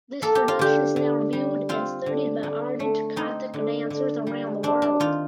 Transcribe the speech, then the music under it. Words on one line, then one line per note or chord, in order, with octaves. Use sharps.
This production is now viewed and studied by ardent Kathak dancers around the world.
A#3 A4
G4
F4
D3 G4
D3
G3
C4 F4
D3
D3
A3
C4 D#4
D3
D3
G3
C4 D4
D4
D#3 F4